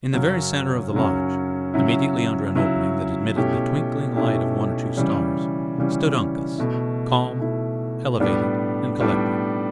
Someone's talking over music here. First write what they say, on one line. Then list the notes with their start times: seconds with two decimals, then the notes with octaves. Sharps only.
In the very center of the lodge, immediately under an opening that admitted the twinkling light of one or two stars, stood Uncas, calm, elevated, and collected.
0.13 F#2 C#3 F#3 C#4
0.93 F#2 C#3 F#3 C#4
1.74 C#3 F#3 C#4 E4
2.55 C#3 F#3 C#4 E4
3.36 B2 A3 C#4 E4 G4
4.16 B2 A3 C#4 E4 G4
4.97 C#3 E3 G3 C#4
5.78 C#3 E3 G3 C#4
6.58 B2 A3 E4
7.39 B2 A3 E4
8.20 A2 G3 B3 D4
9.01 A2 G3 B3 D4